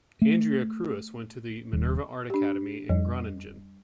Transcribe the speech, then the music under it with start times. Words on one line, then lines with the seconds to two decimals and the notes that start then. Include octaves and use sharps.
Andrea Kruis went to the Minerva Art Academy in Groningen.
0.22 A3
1.73 D#1
2.30 D4 G4
2.89 F2 G3